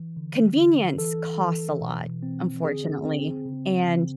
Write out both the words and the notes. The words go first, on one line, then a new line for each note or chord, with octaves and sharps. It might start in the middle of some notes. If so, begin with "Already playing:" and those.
convenience costs a lot, unfortunately, and
Already playing: E3
D3
D3
E3 A4
E3
B2
C4
D3 G#4
C4
C#3
C#3